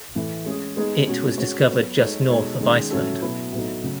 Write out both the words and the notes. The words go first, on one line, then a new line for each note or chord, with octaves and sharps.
It was discovered just north of Iceland.
A2 E3 A3
G#3 C#4 G#4
G#3 B3 D#4 G#4
B2 G#3 C#4 F#4
G#3 C#4 F#4 C#5
F#3 B3 F#4 A4 C#5
G#3 D#4 A4 C#5
B2 G#3 D#4 A4 C#5
D#3 G#3 C#4
A2 F#3 C#4 F#4 A4
B2 F#3 B3 E4
A2 F#3 B3 D#4
C#3 F#3